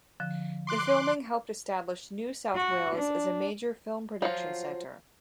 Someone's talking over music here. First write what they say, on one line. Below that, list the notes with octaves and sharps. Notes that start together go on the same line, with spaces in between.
The filming helped establish New South Wales as a major film production center.
D3 F3
C6 D6 F#6
F#4
D4
F3 F#3 F4